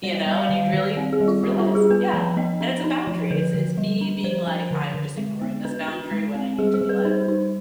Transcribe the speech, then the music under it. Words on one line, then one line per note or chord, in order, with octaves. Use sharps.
You know, and you'd really realize Yeah, and it's a boundary. It's it's me being like, I'm just ignoring this boundary when I need to be like,
G3 D5
D#5
G3
F5
D#3 F5
D#3
C4 D5
G#4
G3
F4
G3 G4
F4
D4
G#4
B3 B4
F3
B3 D#5
D4
D#4
F3
D3 B4
D3
G3
D4
F3 C5
D4
D3
D3
G#3
B3
D4 B4
D4
G#3
C4
G3 G#4
G#4
G3
B4
D#4 C5
D#4